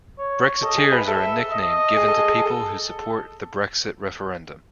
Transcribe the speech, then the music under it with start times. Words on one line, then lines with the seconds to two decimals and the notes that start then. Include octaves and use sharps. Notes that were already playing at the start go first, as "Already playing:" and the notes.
Brexiteers are a nickname given to people who support the Brexit referendum.
0.18 C#5
0.63 A4 D#5
0.77 G#4
0.92 B4
1.07 A4 E5
1.52 D#5
1.97 G#4
2.08 A4
2.18 G#4
2.29 A4
2.38 G#4
2.46 A4